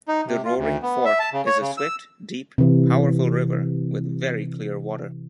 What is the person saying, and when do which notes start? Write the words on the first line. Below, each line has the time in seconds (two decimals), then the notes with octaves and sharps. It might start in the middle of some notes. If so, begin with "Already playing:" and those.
The Roaring Fork is a swift, deep, powerful river with very clear water.
0.08 D#4
0.27 C3
0.45 F4
0.57 D2
0.82 B3
1.05 E5
1.19 A5
1.33 C#3
1.46 C#5
1.61 C#3
1.77 E6
2.58 C3 E3